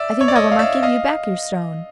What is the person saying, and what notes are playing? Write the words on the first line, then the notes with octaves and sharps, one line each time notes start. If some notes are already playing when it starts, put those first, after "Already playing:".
I think I will not give you back your stone.
Already playing: D5 E5
C#5
D5
C#5 D#5
F5
D5 E5
D#5 F5